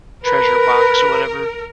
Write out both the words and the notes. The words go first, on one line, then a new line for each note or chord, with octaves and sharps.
treasure box or whatever.
A#4 B4